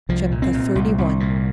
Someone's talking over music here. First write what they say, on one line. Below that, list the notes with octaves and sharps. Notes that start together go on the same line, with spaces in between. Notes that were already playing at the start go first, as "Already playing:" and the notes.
Chapter XXXI.
C2 F3
A#2
C4
A#2
C2
C2
A#2